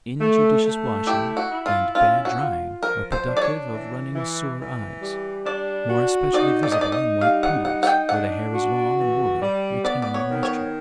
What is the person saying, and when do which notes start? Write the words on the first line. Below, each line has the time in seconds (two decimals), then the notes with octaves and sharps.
Injudicious washing and bad drying are productive of running sore eyes, more especially visible in white poodles, where the hair is long and woolly, retaining the moisture.
0.20 A3
0.64 A3
1.07 E4 G4
1.37 F#4
1.51 E4
1.66 F4
1.95 C#4 F4
2.25 F#4
2.40 F4
2.83 F3 A#4
3.12 C5
3.26 D4
3.37 D5
3.42 C#5
3.71 E3
4.15 E3
4.58 E3
5.02 G3
5.46 D4 D5
5.90 F#4
6.33 D#4 D5
6.63 D5
6.72 D#5
6.78 D#4 D5
6.92 D#5
7.21 G3 F5
7.43 F#5
7.65 D#4 F#5
7.83 F#5
7.87 G5
8.09 D4 F#5
8.53 F#4
8.97 E3
9.41 G3
9.84 B3 D5
10.02 D5
10.14 C#5
10.29 D#3
10.43 C#5